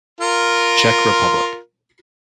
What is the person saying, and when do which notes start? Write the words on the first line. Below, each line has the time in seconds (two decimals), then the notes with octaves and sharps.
Czech Republic.
0.21 F4 A#4